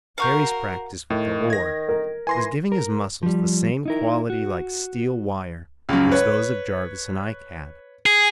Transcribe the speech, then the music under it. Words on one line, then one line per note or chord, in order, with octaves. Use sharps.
Harry's practice with the oar was giving his muscles the same quality like steel wire which those of Jarvis and Ike had.
F#4 A#4 F5 C#6 G6
A2 D#3
G#6 A#6
A#4
E3 G#5 C6 A#6
A#4
F3 G3
D#4 E4 A#4
F#4
C#2 F#2
B4 C#5
G#4